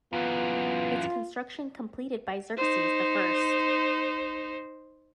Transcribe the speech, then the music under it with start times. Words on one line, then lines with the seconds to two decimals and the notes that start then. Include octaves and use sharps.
Its construction completed by Xerxes the First.
0.13 F#2 E3 B3 F4
2.57 D#4 C5